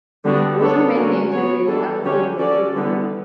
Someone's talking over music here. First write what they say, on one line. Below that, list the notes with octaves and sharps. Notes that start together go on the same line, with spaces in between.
Waterman named the valley after his native Vermont.
D3 G3 B3 D4 F#4
B3 D4 A4 C#5
D3 F#3 C#4 F#4
B3 F#4 C#5
E3 G3 D4 A4
D3 F#3 C#4 G4 C#5
C#4 F#4 A4 D5
D3 G3 B3